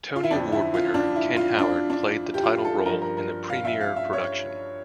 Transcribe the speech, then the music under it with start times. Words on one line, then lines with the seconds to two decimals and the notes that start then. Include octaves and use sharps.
Tony Award winner Ken Howard played the title role in the premiere production.
0.16 F4
0.23 E4
0.31 F2 D3 F3 D4
0.52 E4
0.74 F4
0.94 D4
1.16 E4
1.36 F4
1.59 D4
1.90 D4
2.34 G4
2.44 F4
2.65 A4
2.85 G2 F3 A#4
3.02 A#4
3.17 A#4
3.50 F5
3.65 E5
3.81 F5
3.96 E5
4.13 C#5